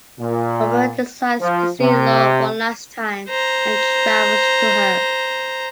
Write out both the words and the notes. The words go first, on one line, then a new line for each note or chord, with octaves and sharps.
Robert decides to see Lore one last time and travels to her.
A#2
F3
C3
C5 A#5